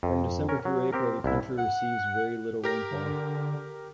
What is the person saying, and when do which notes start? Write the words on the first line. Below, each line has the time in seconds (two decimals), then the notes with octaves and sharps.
From December through April, the country receives very little rainfall.
0.03 F2
0.49 C#4 A#4
0.65 F#3
0.93 C4 G4 A#4
1.24 C2 E4
1.58 F#5
2.64 G4 A#4 A#6
2.91 D3